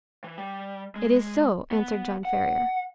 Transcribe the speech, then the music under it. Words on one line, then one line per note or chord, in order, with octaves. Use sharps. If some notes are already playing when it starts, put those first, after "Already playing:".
"It is so," answered John Ferrier.
E3
G3
G#3
B3
F#5